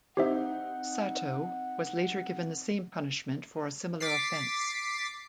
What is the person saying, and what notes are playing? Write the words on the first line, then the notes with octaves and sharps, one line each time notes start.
Sato was later given the same punishment for a similar offence.
C4 D#4 G4 C5 E5 F#5
D6 A6 B6 C7